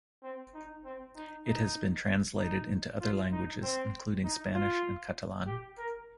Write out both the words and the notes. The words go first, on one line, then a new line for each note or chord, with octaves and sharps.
It has been translated into other languages including Spanish and Catalan.
C4
D#4
C4
D#4
D#4
D#4
F4
D#4
C4
D#4
F4
G4
A#4